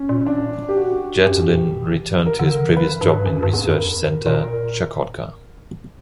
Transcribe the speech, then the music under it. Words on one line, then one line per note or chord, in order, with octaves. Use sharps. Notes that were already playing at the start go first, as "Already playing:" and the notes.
Yetylin returned to his previous job in research centre "Chukotka".
Already playing: C#4
A#2
D4
G4
F#4
F#2 G4
A#2
B2
D3
E3
F#3
A#4
D3
C#3
E3
F#3 B4
G2
G2
G2
F#2
G2
E2
F#2
E2 A#4
F#2
G2
A#2
A#2 A#4